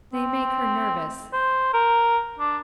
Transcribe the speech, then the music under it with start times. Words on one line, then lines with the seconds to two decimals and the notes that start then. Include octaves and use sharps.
They make her nervous.
0.13 C4
1.33 C5
1.73 A#4
2.39 D4